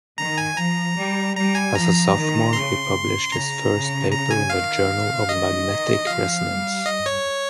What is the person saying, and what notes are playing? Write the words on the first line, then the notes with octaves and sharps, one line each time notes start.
As a sophomore, he published his first paper in the "Journal of Magnetic Resonance".
D#3 A#5
G#5
F3 A#5
G3
G3 A#5
G#5
F3 A#5
D#3
C#3 C6
C#3 A#5
C#3
A#5
G#5
D#3 F5
D#3 D#5
D#3
F3 F5
G3
D#5
C#5